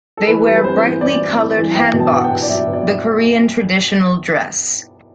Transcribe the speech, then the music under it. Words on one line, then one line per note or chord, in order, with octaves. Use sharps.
They wear brightly coloured hanboks, the Korean traditional dress.
A4
E3 B4
G3
B4
C4 C5
E3
C4 D5
C4
E3
E3
B3 G5
B2
A5
B3 F#5
G5
B2
D5
F#3 E5
B2
D5